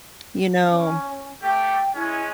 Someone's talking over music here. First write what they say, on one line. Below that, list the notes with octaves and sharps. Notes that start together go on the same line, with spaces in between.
You know,
C#4
A3 G4 G5
G#3 C#4 E4